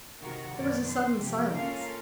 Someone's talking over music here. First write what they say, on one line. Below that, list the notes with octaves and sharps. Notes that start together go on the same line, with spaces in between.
There was a sudden silence.
C3 D#3 F#4 A#4
F#2 B2 D#3 D5
C5
C3 F3 G4
A#3 C#4 F4 A4 A#4 F5